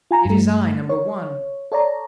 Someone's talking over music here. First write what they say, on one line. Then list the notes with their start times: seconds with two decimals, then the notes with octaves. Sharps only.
It is I, Number One.
0.11 F4 G#5 A#5
0.25 G2 A3
0.89 C#5
1.72 A4 C#5 D5 A#5